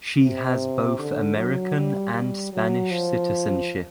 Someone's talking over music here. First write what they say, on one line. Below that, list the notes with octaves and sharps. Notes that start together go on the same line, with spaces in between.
She has both American and Spanish citizenship.
C3
D3
F#3
G3
G3
F#3
F3